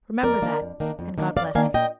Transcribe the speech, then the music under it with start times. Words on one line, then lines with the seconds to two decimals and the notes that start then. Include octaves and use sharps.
Remember that, and 'God bless you!'
0.23 F2 A#4 D5
0.42 D#3 A#3 D4
0.61 F2
0.80 D#3 A#3 D4
0.99 F2
1.18 D#3 A#3 D4
1.36 F2 D5 F5
1.55 D#3 A#3 D4 F5 G#5
1.74 A#2 D#5 G5